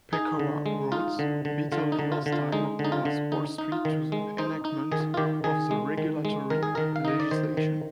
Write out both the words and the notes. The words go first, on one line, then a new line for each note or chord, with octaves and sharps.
Pecora wrote: Bitterly hostile was Wall Street to the enactment of the regulatory legislation.
D#4 G#4
D3
G#3
D#4 F4
D3
D3
D3 F4
D#4
D3
F4
D3
F4
G#3 D#4
D3
D#4
F4
D3
D#4
D#4
F4
D#3
G#3
D#4 C5
D#4
D#3 G#4
F4
D#3 G4
D#3 G#4
G#3
D#3
G#3
D#3 A#4
G#4
D#3 A#4
F5
D#4 D#5
D5
D#3 C5
D#3